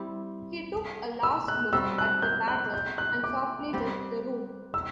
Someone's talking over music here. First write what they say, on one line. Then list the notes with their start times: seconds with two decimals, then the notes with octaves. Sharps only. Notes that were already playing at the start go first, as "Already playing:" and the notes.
He took a last look at the badger and softly left the room.
Already playing: G3 C4 E4 G4
1.23 E6
1.48 F#6
1.73 G3 C4 F#4 E6
1.98 F#6
2.22 G6
2.48 F#6
2.74 G6
2.98 F#6
3.24 D6
3.73 G3 C4 G4
4.74 E6